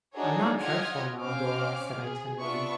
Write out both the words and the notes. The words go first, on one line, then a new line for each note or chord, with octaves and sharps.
'I am not dreadful now, Dora?' said I, tenderly.
D4 D#4 F#4 G#4 A4 C#5
F4 G4 D#5 F#5 F6 G#6
C4 C#4 F5 D6 F6
G#4
B3 D4 F4 E5 C#6